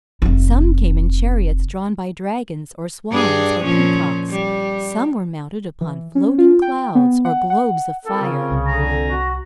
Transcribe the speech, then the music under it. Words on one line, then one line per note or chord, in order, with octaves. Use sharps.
Some came in chariots drawn by dragons, or swans, or peacocks; some were mounted upon floating clouds, or globes of fire.
F1 E4
G2 D4 G#4
A#2 F3 C#4
G3
E3
C#4
F4
G5
B3
F#5
F#5
C4 F4 A4 A#4
C#3
C2
F2 D3 G#5 A#5
F#4